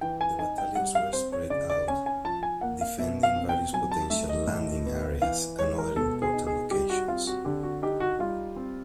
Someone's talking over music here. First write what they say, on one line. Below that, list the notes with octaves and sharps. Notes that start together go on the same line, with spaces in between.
The battalions were spread out defending various potential landing areas and other important locations.
E3 G5
G#5
D#4 G#5
G5
G3 F#5
F5
C4 C5
C#5
C#3 D5
D5
C#4 G#5
G#5
F3 A5
G#5
A#3 F#5
F5
B2 E5
F5
C4
G5
F#3 G#5
A5
A3 E5
D#5
A2
B3
E3 F5
G#3 C#5
A#4
B2 A4
G#4
D#4
G#4
G3 G4
F#4
C4 F4
F#4
D3 G4
F#4
D#4 G4
F#4
G3 F4
C4